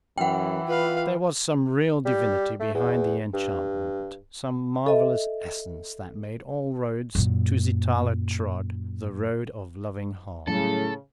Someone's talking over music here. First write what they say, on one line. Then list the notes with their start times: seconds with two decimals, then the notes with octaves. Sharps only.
There was some real divinity behind the enchantment, some marvellous essence that made all roads Tusitala trod the Road of Loving Hearts.
0.18 F#2 E3 F#5 G5
0.68 F4 B4 F5
2.05 G3
2.60 A3
2.75 E2
3.34 G2
4.86 A4 D#5 E5
7.15 F#2 A#2
10.47 A2 C#3 F#3 G3 C#4 A4